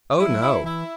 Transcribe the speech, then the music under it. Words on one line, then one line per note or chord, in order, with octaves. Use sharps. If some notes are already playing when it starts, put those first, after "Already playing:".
"Oh, no!"
F#3 E4
E4
E3 E4